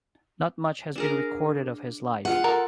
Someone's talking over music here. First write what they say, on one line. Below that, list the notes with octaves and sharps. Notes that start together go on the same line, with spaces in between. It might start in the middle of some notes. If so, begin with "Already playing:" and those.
Not much has been recorded of his life.
D4 G#4 A#4
F4 G#4 F#5
A4 A#4